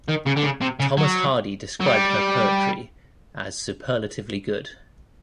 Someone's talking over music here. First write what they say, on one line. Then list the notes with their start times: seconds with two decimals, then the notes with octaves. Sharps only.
Thomas Hardy described her poetry as "superlatively good".
0.09 D#3
0.27 C#3
0.37 D3
0.44 C#3
0.61 C3
0.80 C#3
0.97 F#3
1.81 F#3
1.85 G3